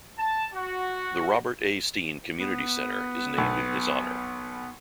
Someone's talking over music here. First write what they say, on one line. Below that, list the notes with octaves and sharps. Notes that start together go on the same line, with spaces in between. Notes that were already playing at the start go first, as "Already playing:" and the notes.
The Robert A. Steen Community Centre is named in his honour.
A5
F#4
B3
B1